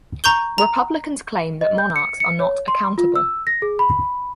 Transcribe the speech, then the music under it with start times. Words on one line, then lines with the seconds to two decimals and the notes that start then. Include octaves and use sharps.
Republicans claim that monarchs are not "accountable".
0.24 A#5 C#6 G6 G7
0.58 A#5
1.61 D#5
1.78 G6
1.96 C#7
2.20 C#7
2.40 C#5
2.68 C6
2.98 F4
3.16 E6
3.47 A#6
3.62 G#4
3.79 B5